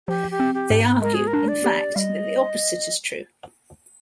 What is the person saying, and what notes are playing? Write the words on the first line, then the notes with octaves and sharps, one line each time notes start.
They argue, in fact, that the opposite is true.
F3 G4
G4
C4
G4
G#2
G#3 A#4
G#4
A#4
D4
D5
G4
G3 D#5 F5